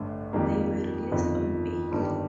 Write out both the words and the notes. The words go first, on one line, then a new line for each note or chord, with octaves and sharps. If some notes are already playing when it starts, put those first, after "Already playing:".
They were released on bail.
Already playing: A1 G2 D3 A3
F2 D#3 G3 A#3
G1 F2 D#3
G1 G2 D#3 G3